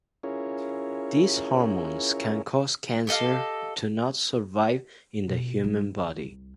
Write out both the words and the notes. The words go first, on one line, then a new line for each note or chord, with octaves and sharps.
These hormones can cause cancer to not survive in the human body.
C#4 E4 F4 G#4 A#4 C#5
G4 A4 D#5 F5
B2
G3
D2
C2